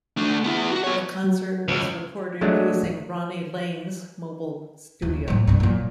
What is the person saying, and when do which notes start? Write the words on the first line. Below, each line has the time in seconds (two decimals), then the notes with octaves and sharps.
The concert was recorded using Ronnie Lane's Mobile Studio.
0.17 A3 D4
0.44 B3 E4
0.72 F#4
0.84 B3 C#5
1.24 F#3
1.68 C#2
2.41 F#3 G#3 A3 D4
5.02 D#2 D#3
5.28 A2 F#3
5.47 G2 B2
5.60 A#2 F#3